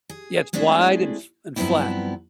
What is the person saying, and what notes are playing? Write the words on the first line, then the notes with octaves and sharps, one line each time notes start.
Yeah, it's wide and fl and flat.
G#4
G#3 A3 C4 D4 E4 G#4
G2 F3 F#3 B3 C4 E4